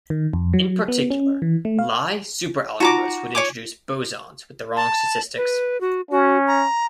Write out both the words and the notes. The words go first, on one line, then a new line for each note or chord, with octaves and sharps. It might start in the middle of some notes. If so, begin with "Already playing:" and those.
In particular Lie superalgebras would introduce bosons with the wrong statistics.
D#3
F2
F#3
B3
C#4
E3
A3
F5
D#4 F4 F#4 A#5 D6
C#5 G#5 D6
A5
B4
F#4
C#4 F#4
A#5